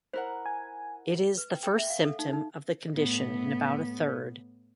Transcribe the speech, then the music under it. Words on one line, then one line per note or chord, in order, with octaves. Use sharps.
It is the first symptom of the condition in about a third.
E4 A#4 C5 F#5
G#5
B4
G5
G5
E5
F5
A4
D#4
D#4
A2 B3